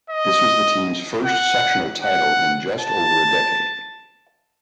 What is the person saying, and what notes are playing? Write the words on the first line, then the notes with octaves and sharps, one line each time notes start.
This was the team's first sectional title in just over a decade.
D#5
F#5
F#5
A5